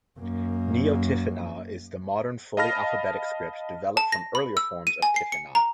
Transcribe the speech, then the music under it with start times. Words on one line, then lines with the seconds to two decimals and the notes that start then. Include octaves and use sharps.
Neo-Tifinagh is the modern fully alphabetic script developed from earlier forms of Tifinagh.
0.19 F#2 A#3
2.57 D#5 F5 A5 B5 F6 A#6
3.97 A5
4.12 A#6
4.35 B5
4.57 E6
4.87 D#7
5.02 G#5
5.16 C7
5.32 C#7
5.55 A#5